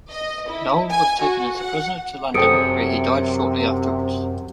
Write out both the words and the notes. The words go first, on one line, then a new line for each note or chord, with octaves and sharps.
Noel was taken as a prisoner to London, where he died shortly afterwards.
D#5
E4
G#5
F#4
F#5
F#2 C3 A4 C5 G5 D#6 C#7 D7